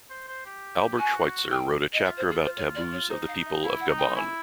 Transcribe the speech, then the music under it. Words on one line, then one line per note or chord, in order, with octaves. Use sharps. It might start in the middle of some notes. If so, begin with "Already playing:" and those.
Albert Schweitzer wrote a chapter about taboos of the people of Gabon.
C5
C5
G4
F#4 G#5
G5
D#5
F4 E5
C5
G#4
C5
C#5
D5
C#5
D#4 C5
F5
E5
E4 F5
F#5
D#4
G5
E4 G#5